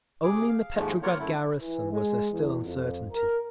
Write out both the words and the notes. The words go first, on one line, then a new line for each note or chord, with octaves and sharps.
Only in the Petrograd garrison was there still uncertainty.
C3 G#4 D6
F5
D#2 G#2 F3 G#3 A3
A#3 B3 F4 A#4 C#5 F#5
F#2 A3 E4
E3
G#3
E2
F2
A#4